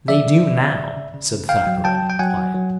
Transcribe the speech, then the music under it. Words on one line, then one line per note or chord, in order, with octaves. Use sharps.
"They do now," said Thackeray, quietly.
F3 D5 E5
C#3
C#3
C#3
C#3
C#3
C#3
C#3
C#3 F5 G5
F#3
F#3 G5 A5
F#3
G5
F#3 F#5 G#5
F#3
F#3